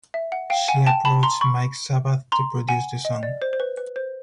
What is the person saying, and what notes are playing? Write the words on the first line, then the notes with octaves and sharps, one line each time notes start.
She approached Mike Sabath to produce the song.
E5
F#5
F5 G5
F#5 G#5
G5 A5
A5 B5
A#5 C6
B5 C#6
A#5 C6
F#5 G#5
D#5
D5
C5
C5
B4
B4
C5